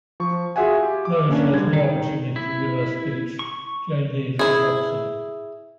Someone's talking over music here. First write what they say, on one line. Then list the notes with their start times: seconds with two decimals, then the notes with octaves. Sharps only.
Knowing she has no opportunity to give her speech, Jane leaves with Roxy.
0.20 F3 C#6
0.56 F4 F#4 G#4 E5 F#5 G#5
0.83 G4
1.05 D6
1.30 A#3 C#4 D4
1.52 D3 G3 G#6
1.73 D#3
2.36 E4
3.39 C#6
4.39 E4 G#4